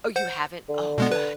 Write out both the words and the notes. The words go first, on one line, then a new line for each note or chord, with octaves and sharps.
Oh, you haven't? Oh, god,
C5 F#5 G6
D3
B2 G#3 B3
B4